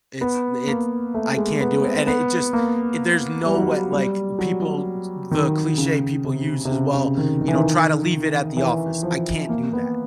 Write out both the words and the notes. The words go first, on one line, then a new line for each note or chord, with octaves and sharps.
It's d it's I can't do it, and it just i there's no way like, people t the cliché people use is, "Well, you know, try to leave it at the office." I can't do that.
B3
A#3
A3
G#3
B3
C4
B3
A#3
G3
F#3
G3
G3
F#3
D#3
C#3
C3
C3
C#3
C#3
D#3
D#3
E3
D#3
E3
F3
A#3
B3